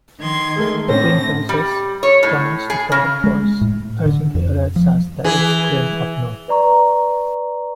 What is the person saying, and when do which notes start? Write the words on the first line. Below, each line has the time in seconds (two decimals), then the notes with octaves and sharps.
Between verses, Drummond's distorted voice urgently alerts us that "It's grim up north".
0.19 D#3 C6 G#6
0.56 G#3 A3 A#4
0.88 A2 D3 C4 C#4 A#6
1.49 G3
2.03 C#5
2.23 A2
2.70 G#4
2.92 C#3
3.24 G#3
3.61 A2
4.06 D3
4.35 F2
4.76 F3
5.24 E3 G#4
6.48 B4 D5 A#5 C#6